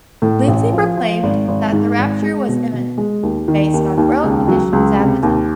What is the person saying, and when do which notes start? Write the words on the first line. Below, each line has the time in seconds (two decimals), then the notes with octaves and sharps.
Lindsey proclaimed that the rapture was imminent, based on world conditions at the time.
0.22 A2
0.48 A1
0.73 F3
0.97 F3
1.23 G#1
1.48 G#1
1.72 G#2
1.98 G#1
2.22 G#3
2.48 B2
2.73 B2
2.98 G#3
3.23 D#2
3.48 D#3
3.74 D#2
3.98 D#2
4.24 C#2
4.48 F#3
4.73 C#2
4.99 C3
5.23 D#2